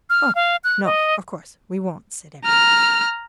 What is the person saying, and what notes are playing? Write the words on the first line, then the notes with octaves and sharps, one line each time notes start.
'Oh, no, of course we won't!' said everyone.
F6
F5
F#6
D#5
A#5 F6